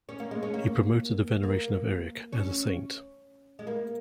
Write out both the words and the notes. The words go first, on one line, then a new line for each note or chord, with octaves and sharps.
He promoted the veneration of Eric as a saint.
C#4
A#3
G#3
C#4
A#3
A#3
C#4
G#3
A#3